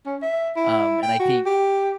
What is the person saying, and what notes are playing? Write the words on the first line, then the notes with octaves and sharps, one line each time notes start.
Um, and I think
C#4
E5
E4
G5
F#4
G4